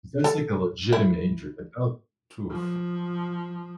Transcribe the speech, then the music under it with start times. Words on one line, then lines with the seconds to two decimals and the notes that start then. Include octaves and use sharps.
That's like a legitimate injury. Like, oh t oof.
0.24 A4
0.93 E4
2.51 F3